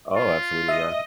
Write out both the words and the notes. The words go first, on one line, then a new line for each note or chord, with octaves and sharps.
Oh, absolutely, yeah.
F4
D#5 E5